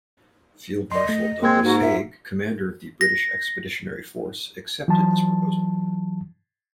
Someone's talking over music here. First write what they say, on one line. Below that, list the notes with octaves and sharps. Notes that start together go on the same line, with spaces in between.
Field Marshal Douglas Haig, commander of the British Expeditionary Force, accepted this proposal.
D5 D#5 C6
A3
G#3 A#3 C4 G#6
G#2 F#4
E5
A#6
E3 F#3 A5